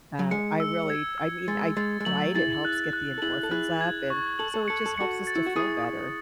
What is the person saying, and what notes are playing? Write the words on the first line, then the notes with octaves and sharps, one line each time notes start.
um, I really I mean, I Right? It helps get the endorphins up, and so it just helps us to feel better.
F#3
G#3 C#7
E6
G#6
E6
G#3 A6
G#3 A6
G#3
F#3 A3 F#7
E4 G#4 A6
F#6
F#6
A4
E4 G#4 F#7
A4
E4 G#4 F#6
G#6
C#6
A4 F#7
A4
A4 C#7
A4
F#4 A4 C#7
A6
E4
F#4
E4 G#4 D#6
D#6